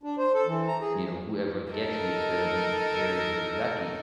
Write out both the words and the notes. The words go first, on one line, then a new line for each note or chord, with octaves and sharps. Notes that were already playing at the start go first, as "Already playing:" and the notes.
you know, whoever gets you, is gonna be very, very lucky.
D4
C5
A4
E3
A#5
G#4
D#4 A4 A#4